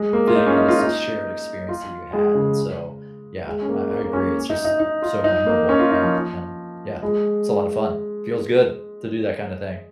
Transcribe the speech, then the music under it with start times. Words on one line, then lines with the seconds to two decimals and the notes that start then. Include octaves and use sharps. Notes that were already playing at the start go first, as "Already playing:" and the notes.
thing, and it's this shared experience that you had, and so, yeah, I I agree. It's just, so memorable, and, yeah, it's a lot of fun. Feels good to do that kinda thing.
Already playing: G#3
0.13 A#3
0.27 F4
0.35 D#4
0.47 C#4
0.57 D#4
0.68 F4
0.80 D#4
1.69 F4
2.13 G#3
2.35 C#3
3.47 G#3
3.62 C#4
3.69 A#3
3.91 A#3
4.03 A#3
4.13 C#4
4.50 D#4
4.65 D#4
4.80 D#4
5.02 F4
5.24 D#4
5.46 A#3
5.69 C#4
5.79 F4
5.91 D#4
6.02 F3
7.02 G#3